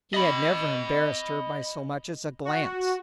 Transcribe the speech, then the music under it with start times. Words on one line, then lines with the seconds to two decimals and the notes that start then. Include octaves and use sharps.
He had never embarrassed her by so much as a glance.
0.14 D#5 B5
2.45 F#4